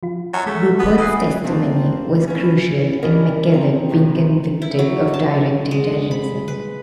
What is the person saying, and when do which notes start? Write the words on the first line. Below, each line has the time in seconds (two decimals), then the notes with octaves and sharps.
Rupert's testimony was crucial in McKevitt being convicted of directing terrorism.
0.03 F3 F4
0.33 F#3 A5 C#6
0.46 G#3 A3
0.79 B3
0.98 E3 D#6 F#6 C7
1.43 A3 A#3 C4 F4 A5
2.28 C#4 E4
3.03 G3 C#4 D4 E4 A#4 D#5
3.52 F3 C4 A#5
3.89 E2 A2 C3 D#3
4.62 E4
4.79 F#3
5.14 A5
5.71 G#3
6.11 B5
6.48 B4